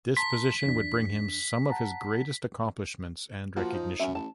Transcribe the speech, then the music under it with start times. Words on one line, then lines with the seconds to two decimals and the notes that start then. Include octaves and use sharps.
This position would bring him some of his greatest accomplishments and recognition.
0.17 A5 A#5 C6 B6
0.66 E2 D4
1.70 F#5 A5 A#5
3.56 F3 A#3 F4 F#4
3.73 D#4 C5
3.99 F#2 C#4 E5
4.15 A1 A5